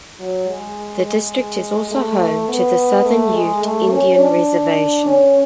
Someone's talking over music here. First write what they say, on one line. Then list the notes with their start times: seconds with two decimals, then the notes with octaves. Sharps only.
The district is also home to the Southern Ute Indian Reservation.
0.20 F#3
0.48 G#3
1.06 G#3
1.91 A3
2.48 B3
3.05 A3
3.34 G#3
3.63 A3
3.91 C#4
4.19 D4
5.05 C#4